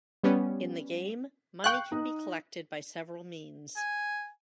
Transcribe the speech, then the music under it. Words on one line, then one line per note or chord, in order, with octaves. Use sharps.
In the game, money can be collected by several means.
G3 B3 C#4
F5 G5 C#6 F#6
D#4
G#5